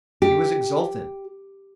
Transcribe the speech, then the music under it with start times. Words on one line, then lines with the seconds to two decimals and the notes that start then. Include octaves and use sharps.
He was exultant.
0.22 G4